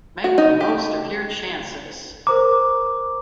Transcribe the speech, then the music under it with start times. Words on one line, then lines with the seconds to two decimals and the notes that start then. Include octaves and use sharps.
Make the most of your chances.
0.24 F#4
0.38 D#4
0.61 G4
2.27 A#4 C5 A#5 D6